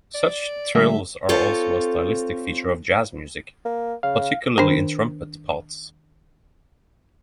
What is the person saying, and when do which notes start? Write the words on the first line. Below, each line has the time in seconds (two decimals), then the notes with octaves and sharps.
Such trills are also a stylistic feature of jazz music, particularly in trumpet parts.
0.15 D5
0.75 D3 G3 A3 E5
1.29 C4 F4 A4 C#5
3.65 A#3
4.03 C#3 F5
4.58 D#3 D4 A#4 C5 G5